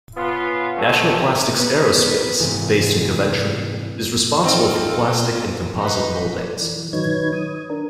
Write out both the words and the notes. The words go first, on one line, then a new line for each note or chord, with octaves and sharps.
National Plastics Aerospace based in Coventry, is responsible for the plastic and composite mouldings.
B3 C#4 F4
D3 A3 C4 C#4 G4
B3
B3
G#2 C3 E3
C4 D#4 F4 A4
D#4 B4
D5
E3
D#3 F#3 D#4 B4 C#5 G#6
D#6
D4 A#4